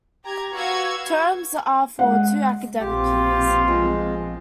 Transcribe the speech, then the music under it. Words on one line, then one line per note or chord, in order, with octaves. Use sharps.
Terms are for two academic years.
G4 A#5 G#6
F#4 B4 F5 C#6 E6 G#6
G#3 F#5
A#1 B2 C4 F4 G4
F3 G#3